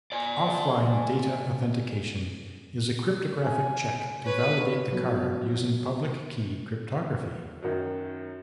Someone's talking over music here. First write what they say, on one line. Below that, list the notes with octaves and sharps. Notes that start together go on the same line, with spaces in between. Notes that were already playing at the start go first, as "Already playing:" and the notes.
Offline data authentication is a cryptographic check to validate the card using public-key cryptography.
D5 G#5
G#5
B4 C#5
F3 F#3 B3 F#4
F#2 D#3 F#3